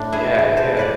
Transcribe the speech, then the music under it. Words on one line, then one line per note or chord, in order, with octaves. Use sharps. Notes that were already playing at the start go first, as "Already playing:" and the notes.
Yeah, yeah.
Already playing: A2 D4
E4 G#4
E3 G#3
A4 C5
A2 B4 D5